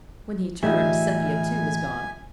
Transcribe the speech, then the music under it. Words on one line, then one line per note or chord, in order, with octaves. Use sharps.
When he turned, Sepia too was gone.
E2 A2 G3 D#4 F4 E5 G#5